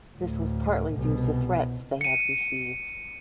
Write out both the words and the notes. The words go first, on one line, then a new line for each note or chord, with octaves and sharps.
This was partly due to threats they had received.
D2 A2
C2 B2
C#7 D#7